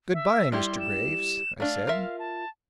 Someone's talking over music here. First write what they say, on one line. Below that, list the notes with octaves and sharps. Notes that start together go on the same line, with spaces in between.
"Good-bye, Mr. Graves!" I said.
E5
G3 E4 G4 C6
E7
A3 D4 F5
F4 A#4 E5
A5